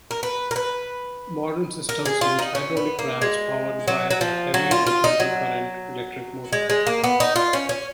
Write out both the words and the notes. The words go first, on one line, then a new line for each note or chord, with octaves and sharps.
Modern systems use hydraulic rams powered by a heavy alternating current electric motor.
A#4
B4
A#4
B4
A#4
G#4
F4
D#4
C#4
B3
A#3
G#3
F#3
F#3
F3
F#3
F4
F4
D#4
F#3
G#3
G#3
A#3
B3
D#4
F4
C#4
C#4